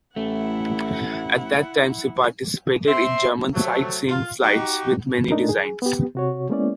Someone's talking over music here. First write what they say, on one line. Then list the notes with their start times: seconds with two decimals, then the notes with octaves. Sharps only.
At that time, she participated in German sightseeing flights with many designs.
0.16 A1 A3 E4 F#5
2.87 C4 E5 C6
3.54 C3 F#3 A3
4.08 F4
4.42 D#4 F#4 G4
5.31 A3 D4 D#4 A#4
5.49 G#4
5.82 B3 G4
6.15 C3 F#4 C#5
6.50 G#3 A#3 B3 C#4 E4 D5